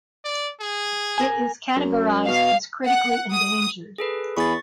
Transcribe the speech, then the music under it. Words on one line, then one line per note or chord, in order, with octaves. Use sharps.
It is categorized as Critically Endangered.
D5
G#4
A#4 G#5
F#2
B2 F5
F#5
D#6
G#4 A4 B4
E2 G#4 B5 C#6 A6